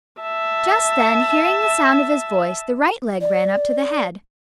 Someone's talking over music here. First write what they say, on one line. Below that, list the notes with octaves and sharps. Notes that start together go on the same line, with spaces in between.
Just then, hearing the sound of his voice, the right leg ran up to the head.
E5 A5
D5